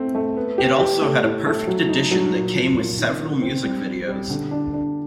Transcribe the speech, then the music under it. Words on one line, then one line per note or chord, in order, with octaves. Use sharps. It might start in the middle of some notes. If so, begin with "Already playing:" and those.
It also had a "Perfect Edition" that came with several music videos.
Already playing: A3 C4
A3
B3
G4
G4
A3
A2
A3
F#3
D#4
F#3
A#2
F3
A#2
D#3
D#3
C4
G3
G3
G3
D3
D4
D4